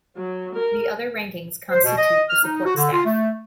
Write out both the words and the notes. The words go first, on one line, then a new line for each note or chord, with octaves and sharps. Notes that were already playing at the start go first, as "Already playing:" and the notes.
The other rankings constitute the support staff.
F#3
A#4
C5
B2
D#5
F6
D#4
F#4
D3
F4
A3